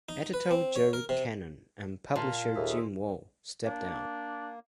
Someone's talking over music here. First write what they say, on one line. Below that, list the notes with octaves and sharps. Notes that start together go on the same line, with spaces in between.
Editor Joe Cannon and publisher Jim Wall stepped down.
D#4
B4
C4
C#5
A#4
C3
A#2 F4 A5 C6
D#2 G#4 A4 E5
A#3 D4